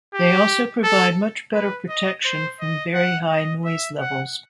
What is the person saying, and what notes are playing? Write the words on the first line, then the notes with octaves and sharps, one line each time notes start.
They also provide much better protection from very high noise levels.
G4
A4
B4
D#5
C5
D#5
F#5
D#5
E5
F#5